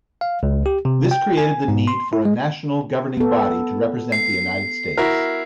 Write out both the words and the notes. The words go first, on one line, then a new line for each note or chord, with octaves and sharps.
This created the need for a national governing body to represent the United States.
F5
C#2
G4
C3
G5
G#5
G#2
C6
E4
G#3
B3 A4
C7
E4 F#4 A#4